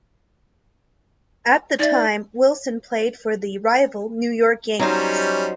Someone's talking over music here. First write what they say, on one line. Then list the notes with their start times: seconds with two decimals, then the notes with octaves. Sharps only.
At the time, Wilson played for the rival New York Yankees.
1.79 D#4 D5 E5
4.79 F#3 G3 C#4 D#4 C5